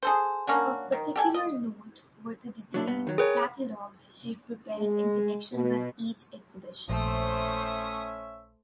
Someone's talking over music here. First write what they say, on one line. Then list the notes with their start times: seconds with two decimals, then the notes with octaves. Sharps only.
Of particular note were the detailed catalogues she prepared in connection with each exhibition.
0.03 G#4 A4 C5
0.47 A#3 C#4 D4 F#4
0.92 D#3
1.16 G4 A4 G#5
1.34 D#5
2.74 F#3 D4 E4
2.87 G2 B3
3.07 D#3 F#3
3.18 G#4 A#4 B4 C#5 G5
4.79 G#3
5.52 B2
6.89 A#1 A3 C#4 C5 C#5 E5 D#6